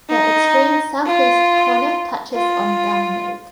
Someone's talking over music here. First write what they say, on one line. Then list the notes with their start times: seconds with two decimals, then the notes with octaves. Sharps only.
The extreme southeast corner touches on Gun Lake.
0.09 D#4
1.06 F4
2.35 F4